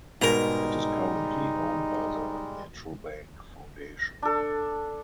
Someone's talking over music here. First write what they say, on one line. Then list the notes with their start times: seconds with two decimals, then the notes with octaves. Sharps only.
It is currently owned by the Metrobank Foundation.
0.21 G#2 B2 G3 G#3 D#4 A#4 A#5
4.22 D4 A4